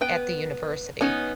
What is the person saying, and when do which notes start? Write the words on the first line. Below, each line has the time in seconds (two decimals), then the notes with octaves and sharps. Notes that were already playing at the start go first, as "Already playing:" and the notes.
at the university,
0.01 B3 B4 G5
1.01 B3 C#4 D#4